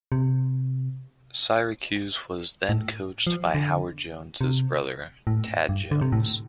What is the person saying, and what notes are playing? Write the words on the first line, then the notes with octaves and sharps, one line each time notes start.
Syracuse was then coached by Howard Jones's brother, Tad Jones.
C3
A2
F3
D3
C3
A2
G2
D3
C3
A2